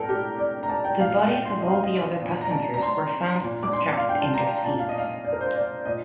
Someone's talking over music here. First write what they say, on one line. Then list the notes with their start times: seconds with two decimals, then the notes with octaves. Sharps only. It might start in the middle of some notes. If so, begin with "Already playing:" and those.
The bodies of all the other passengers were found still strapped in their seats.
Already playing: A2 A4 A#4
0.09 G4
0.39 D5
0.63 A#5
0.69 A5
0.85 G5
0.99 A#2 F5
1.10 F5
1.20 F5
1.30 G5
1.45 C6
1.61 D#5
1.72 F5
1.82 D#5
2.21 A#2
2.41 A#5
2.51 A5
2.74 A#5
2.82 C6
3.43 A#2
3.63 D6
3.73 C6
3.97 F5
4.09 G5
4.21 A5
4.34 A#5
4.64 A#2 A5
4.79 F5
4.89 D#5
4.98 F5
5.25 D5
5.33 A#4
5.41 C5
5.56 D5
5.85 A#2 D#5